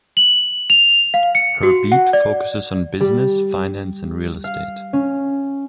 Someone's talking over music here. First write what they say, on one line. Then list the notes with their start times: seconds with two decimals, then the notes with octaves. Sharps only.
Her beat focuses on business, finance and real estate.
0.17 F#7
0.70 F7
1.14 F5
1.35 C#7
1.63 F#4
1.92 F#5
2.13 D5
3.00 G3
4.44 F5
4.93 C#4